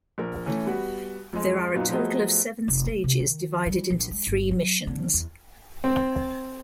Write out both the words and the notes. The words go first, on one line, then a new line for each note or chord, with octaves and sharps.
There are a total of seven stages, divided into three Missions.
A#1 A#4
E3 A3 C#4
G3 B3 F#4
F2 G#3
F#2 A#2 F#3 B3 D#4 F4
F3 F#3 A3 B3 G#4 D#5
F1
A3
C3
D#3
G3
A#1
G#3
G1
F#3
D3
E2
C4